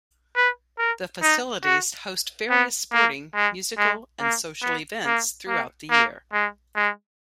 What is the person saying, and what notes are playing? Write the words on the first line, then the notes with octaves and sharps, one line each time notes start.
The facilities host various sporting, musical and social events throughout the year.
B4
A#4
D#4
F#4
B3
A#3
G#3
G#3
A#3
B3
A#3
A#3
A#3
G#3
G#3